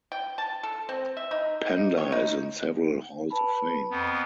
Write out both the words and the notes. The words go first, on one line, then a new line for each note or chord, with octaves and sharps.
Pender is in several halls of fame.
G5
A5
A4
C4
E5
D#4
D#4
C#5
D#4
B4 A5 B5
F2 B3